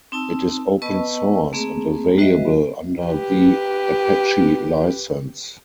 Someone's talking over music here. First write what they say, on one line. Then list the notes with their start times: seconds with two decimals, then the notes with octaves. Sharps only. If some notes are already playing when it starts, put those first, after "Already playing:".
It is open source and available under the Apache License.
0.12 C4 D#4 A5 E6
0.82 B3 B4 D#5 A5 C#6 E6
1.53 A3 A#3 C4 G#4
2.18 G3 F#4 B4 D#5 E5
3.07 G4 B4